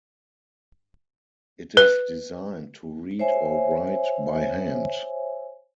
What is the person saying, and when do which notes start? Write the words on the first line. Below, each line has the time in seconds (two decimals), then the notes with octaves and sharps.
It is designed to read or write by hand.
1.77 B4
3.19 C5 C#5 E5 G#5